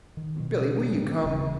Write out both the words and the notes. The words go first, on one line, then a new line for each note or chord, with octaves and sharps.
Billy, will you come?
D#3
B2
A2 D3 G#3 C4
D#1 C#3